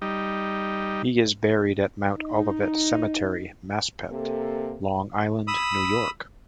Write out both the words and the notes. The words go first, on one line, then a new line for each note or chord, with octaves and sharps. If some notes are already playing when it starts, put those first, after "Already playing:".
He is buried at Mount Olivet Cemetery, Maspeth, Long Island, New York.
G3 D#4
D#4
C3 A#3 A4
B5 D#6 E6